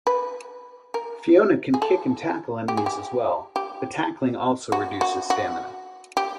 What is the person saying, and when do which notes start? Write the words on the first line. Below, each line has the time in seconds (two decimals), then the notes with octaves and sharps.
Fiona can kick and tackle enemies as well, but tackling also reduces stamina.
0.07 B4
0.94 A#4
1.74 G#4
1.82 A4
2.68 G4
2.77 G#4
2.86 G4
3.56 G4
4.72 F#4
5.01 F#4
5.30 F#4
6.17 G4